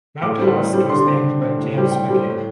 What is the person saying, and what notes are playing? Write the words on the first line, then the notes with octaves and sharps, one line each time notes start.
Mount Haast was named by James Mackay.
A2 D6
G3 C4
A2
G3 C4
D3 C6
C4
D3
C4
A2
G3 C4
A2 G5
G3 C4
A2